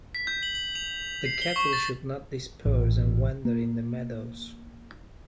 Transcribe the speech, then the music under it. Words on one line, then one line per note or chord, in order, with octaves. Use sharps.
The cattle should not disperse and wander in the meadows.
B6
G6
F#7
F#7
F7
C7
G7
C#6
A6
A1
A#3